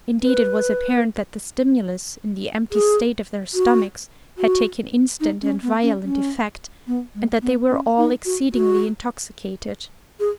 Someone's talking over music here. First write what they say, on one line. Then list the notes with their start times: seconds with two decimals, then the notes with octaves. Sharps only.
Indeed, it was apparent that the stimulus, in the empty state of their stomachs, had taken instant and violent effect, and that they were all exceedingly intoxicated.
0.22 B4
2.72 G#4
3.54 F#4
4.38 F#4
5.21 D#4
5.42 C#4
5.62 B3
5.83 C#4
6.04 C#4
6.87 B3
7.15 G#3
7.42 B3
7.70 C#4
7.98 D#4
8.25 F#4
8.53 F#4
10.20 G#4